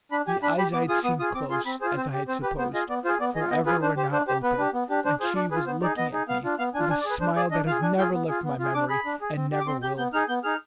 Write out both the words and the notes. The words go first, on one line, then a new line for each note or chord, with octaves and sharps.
The eyes I had seen close, as I had supposed, forever, were now open, and she was looking at me with a smile that has never left my memory, and never will.
D4 B5
G4 G#5
D4 B5
G4 B5
B3 D6
F4 G#4 D#6
B3 D#6
F4 G#4 D#6
C4 D6
F4 G#4 C6
C4 B5
F4 G#4 C5
C4 C5
G4
C4 C5
G4 B4
B3 C5
F4 G#4 D#5
B3 D5
F4 G#4 C5
B3 D5
F4 G#4 D#5
B3 D#5
F4 G#4 B4
D4 C5
G4 C5
D4 C5
G4 C5
B3 B4
D4 G4
B3
D4 G4
D4 C5
F4 G#4 C5
D4 D5
F4 G#4 B4
B3 C5
D#4 G#4 D5
B3 D#5
D#4 G#4
B3 F5
D4 F4
B3 F5
D4 F4 G#5
D4 G#5
D5
G#4
B4
D4 C5
G#4 D5
D4 D#5
F4 G#4 F5
D4 G#5
F4 G#4 G5
B3
F4 G#4
B3
F4 G#4
D4 D6
G#4 B5
D4
G#4
C4
G4
D6
C4 C6
G4 G6
B3 G6
D#4 G#4 F6
B3 G6
D#4 G#4 F6